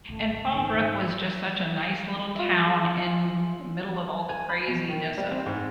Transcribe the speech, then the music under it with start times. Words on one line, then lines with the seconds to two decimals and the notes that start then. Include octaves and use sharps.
and Fallbrook was just such a nice little town in the middle of all the craziness of
0.09 G#1 C#2 A3
0.52 E1 A#1 G#2 D#3 D4 A4 C5
0.69 D3 D#3
2.35 F4 E5
2.66 G#4
4.29 G#5
4.49 B5
4.68 B2
4.89 D#3
5.18 G3
5.32 C4
5.46 G#2